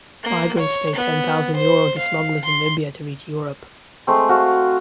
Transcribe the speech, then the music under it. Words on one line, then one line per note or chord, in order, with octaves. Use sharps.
Migrants pay ten thousand Euro to smugglers in Libya to reach Europe.
A#3
C#5
B3
C5
F5
C6
G#3 A3 C4
F#4 F5